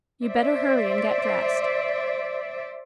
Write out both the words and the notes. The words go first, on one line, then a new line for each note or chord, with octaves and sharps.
'You'd better hurry and get dressed.
C5 D5 E5